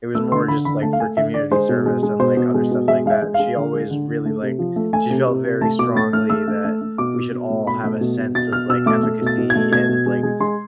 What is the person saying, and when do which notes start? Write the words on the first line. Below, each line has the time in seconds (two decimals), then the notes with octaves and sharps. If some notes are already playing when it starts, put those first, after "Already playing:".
it was more just like for community service and, like, other stuff like that, and she always really like she felt very strongly that we should all have a sense of, like, efficacy and like,
0.15 A3 E6
0.32 D3 C6
0.48 D3 B5
0.65 D3 B5
0.82 A3 A5
0.93 F5
1.00 A3 G#5
1.17 D3 E5
1.34 D3 D5
1.51 G#3 C5
1.69 B2
1.86 G#3
2.03 G#3
2.19 B2 C5
2.37 B2
2.54 G#3
2.71 B2
2.88 G#3 E5
3.06 G#3 F5
3.11 E5
3.22 G#3
3.34 F5
3.39 G#3
3.57 D3
3.73 G#3
3.91 D3
4.08 D3
4.26 A3
4.42 C3
4.59 F3
4.76 A3
4.93 A3 G#5
5.10 C3
5.27 C3
5.44 C3
5.61 A3 A5
5.79 B2 D6
5.95 A3 A6
6.13 A3 F6
6.30 A3 E6
6.48 A3
6.65 A3
6.82 A3
6.98 B2 D6
7.16 B2
7.32 B2
7.50 A3
7.67 B2 B5
7.84 A3
8.01 B2
8.18 B2
8.35 B2 A6
8.52 B2 F6
8.69 B2 E6
8.86 A3 D6
9.03 A3
9.21 B2
9.27 A6
9.38 B2
9.50 G#6
9.55 A3
9.72 B2 G#6
9.89 B2
10.06 G#3
10.23 G#3
10.40 G#3 C6